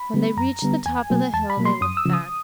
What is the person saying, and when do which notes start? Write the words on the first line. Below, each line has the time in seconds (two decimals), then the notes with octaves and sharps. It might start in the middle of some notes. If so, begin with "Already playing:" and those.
When they reached the top of the hill they looked back.
Already playing: B5
0.14 D3 G3 B3
0.37 F#2 A#5
0.62 D3 G3 B3
0.86 E2 G#5
1.10 B2 F#3 A#3
1.33 E2 A5
1.50 B5
1.57 B2 F#3 A#3
1.65 C6
1.81 F#2 D#6
1.97 E6
2.06 C#3 F3
2.13 D#6